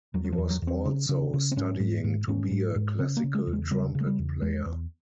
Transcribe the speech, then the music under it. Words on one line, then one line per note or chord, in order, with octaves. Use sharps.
He was also studying to be a classical trumpet player.
E2 F#3
F#3
F3
E2
F#3
E2
C4
C#3
C#3
C#3
C4
G#2 C#4
G#2
G#2
G#2 C#4
G#2
G#2
C#3 C4
A#3
C#3
G#3
E2
G#3
C#3 G3
C#3
G#3
G3
E2
E2 G#3
E2